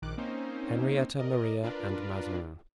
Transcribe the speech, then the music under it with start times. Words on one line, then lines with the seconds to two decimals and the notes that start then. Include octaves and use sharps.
Henrietta Maria and Mazarin.
0.02 A#1 D#3 D6 F#6
0.17 A#3 C4 C#4 D#4 C5
1.19 A#4 D5 D#5
1.63 D4 F4 A#4 B4 D5